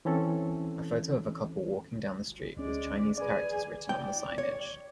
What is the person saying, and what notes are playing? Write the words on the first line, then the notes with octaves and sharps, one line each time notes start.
A photo of a couple walking down the street with Chinese characters written on the signage.
E3 C4 C#4 A4
D2 G#3 C#4 D5
G#4 B4 D5 G#5
D5 G5
C#5